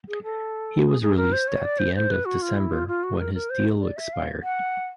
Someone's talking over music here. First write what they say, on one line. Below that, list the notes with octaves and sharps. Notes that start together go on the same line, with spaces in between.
He was released at the end of December when his deal expired.
G#4
A4
G#4
G#4
A#4
C5
C#5
D5
C5
C5
B4
F#4
F4
E4
F4
F4
F#4
A#4
A#4
C5
D5
E5
F5
F#5